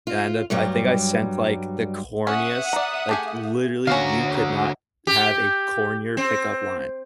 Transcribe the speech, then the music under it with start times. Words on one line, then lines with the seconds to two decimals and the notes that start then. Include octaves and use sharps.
And I end up I think I sent, like, the corniest, like, literally, you could not have a cornier pickup line,
0.07 F4
0.50 G2 F#3 G3
2.27 C#4 E5 F#5 D#6
2.73 D5 A#5
3.09 A3 G4 G#4
3.87 D3 C#4 F#4 C#5 F5 A#5
5.07 G4
6.17 C4